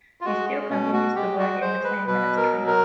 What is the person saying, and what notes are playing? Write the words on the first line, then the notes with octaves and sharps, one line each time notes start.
He still continues to work in the same ministry.
F4
G#3 F#4
B2 C#4
F#4
G#3 G4
F#4
G#3 C5
B4
B2 B4
A#4
F#3
A#4